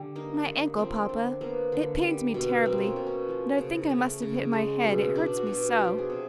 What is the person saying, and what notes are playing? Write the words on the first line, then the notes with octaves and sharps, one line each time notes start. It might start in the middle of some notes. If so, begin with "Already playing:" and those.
"My ankle, papa; it pains me terribly; and I think I must have hit my head, it hurts me so."
Already playing: D3 G3
A#3 D#4
D3
F3 C4
D3
A#3 B3
D3
G3
B2
A#3 C4
C#4
B2
C#4
F3
C#3
A3 C#4
C#3
G#3
B2
B3 D4
F#4
B2
G4
F3 G4
G#4
C3